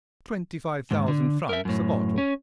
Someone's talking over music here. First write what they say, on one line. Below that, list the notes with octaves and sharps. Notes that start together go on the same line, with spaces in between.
"Twenty-five thousand francs a bottle."
D#2 G#2
D3
A#4 E5
F#2 A2
C#4